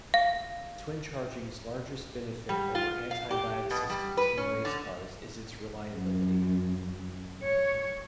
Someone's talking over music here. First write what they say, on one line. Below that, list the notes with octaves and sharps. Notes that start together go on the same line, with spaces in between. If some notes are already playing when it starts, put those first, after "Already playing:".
Twincharging's largest benefit over anti-lag systems in race cars is its reliability.
F5
G3
F4
F5
G4
B2
G3
B4
C#4
D3
F#2
C#5